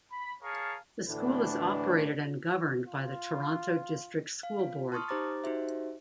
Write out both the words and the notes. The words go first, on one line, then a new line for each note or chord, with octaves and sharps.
The School is operated and governed by the Toronto District School Board.
B5
G#4 A#4 C#5 F5 A5
D2 A2 E3 D4 B4
F4
F5
F4
A5 C6 C#6 D#6 F6
D#4 G4 C5 A#5 D6 A6
D#4 F#4 G4 C5 E5